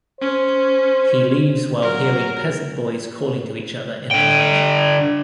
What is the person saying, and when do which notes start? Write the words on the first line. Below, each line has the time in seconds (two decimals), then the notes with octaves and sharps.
He leaves while hearing peasant boys calling to each other in the night.
0.21 C#4 C5
1.82 F#3 A#4
4.11 D3 G5